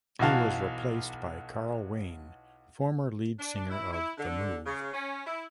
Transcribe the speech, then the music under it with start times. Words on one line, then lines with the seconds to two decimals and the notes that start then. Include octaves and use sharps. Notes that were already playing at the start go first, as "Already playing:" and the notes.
He was replaced by Carl Wayne, former lead singer of The Move.
0.19 B1 E3 F#4 F5 A5
3.39 D4
3.70 E4
3.93 E4
4.18 D3
4.66 C#3
4.93 C#4
5.27 E4